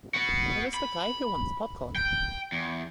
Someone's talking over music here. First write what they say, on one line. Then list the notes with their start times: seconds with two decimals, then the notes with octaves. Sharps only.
Who is the guy who wants popcorn?
0.14 B3 F#4
0.74 B5
1.95 G5
2.52 E2